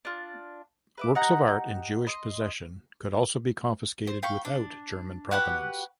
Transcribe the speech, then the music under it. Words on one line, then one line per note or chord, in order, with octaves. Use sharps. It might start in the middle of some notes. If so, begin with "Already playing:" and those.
Works of art in Jewish possession could also be confiscated without German provenance.
D4 F4
B4 E5 D6
D#4 G4 F#5 A#5
D#5 C6
C5
F5 G5 B5 C#6
D4
F#4 G4 B4 F#5